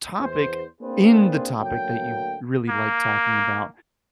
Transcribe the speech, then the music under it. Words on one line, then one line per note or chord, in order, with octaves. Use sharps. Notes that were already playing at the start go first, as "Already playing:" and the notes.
topic in the topic that you r really like talking about
E2 C5
A#3 C4 D4 F4 G#4 B4
D2 F#3 A#3 G5
A#3